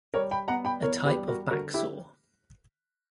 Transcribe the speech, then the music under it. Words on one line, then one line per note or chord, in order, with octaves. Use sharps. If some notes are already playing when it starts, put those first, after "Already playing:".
A type of backsaw.
G3 A#4 C#5
G5 B5
B3 F#5 A#5
G5 B5
E2 A#4 C#5
G4 B4
G3
F#4 A#4
D3 F#4 A#4
E4 G4